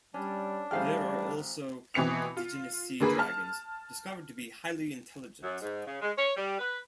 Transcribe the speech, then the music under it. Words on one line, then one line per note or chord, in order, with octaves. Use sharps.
There are also indigenous sea dragons, discovered to be highly intelligent.
G3 C#4 D4
A1 G3 G#4 C5 F5 G5 F6
B2 E3 C4 C#7 F7
F4
D3 A#3 G#4 B4
A5 F6
F#2
G#2
C#3
G#3
C#5
G3
B4